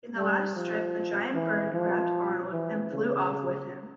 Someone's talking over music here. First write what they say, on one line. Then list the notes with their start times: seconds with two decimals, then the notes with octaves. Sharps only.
In the last strip, a giant bird grabbed Arnold and flew off with him.
0.16 G3
0.56 F3
1.34 E3
1.73 F3
2.52 E3
2.91 C#3